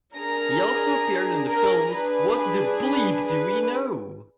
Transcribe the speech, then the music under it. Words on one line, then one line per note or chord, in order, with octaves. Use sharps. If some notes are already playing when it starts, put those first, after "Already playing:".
He also appeared in the films What the Bleep Do We Know!?
D4 G#4 A#4 A#5
A#4 A#5
D4 G#4 B4
B4
B4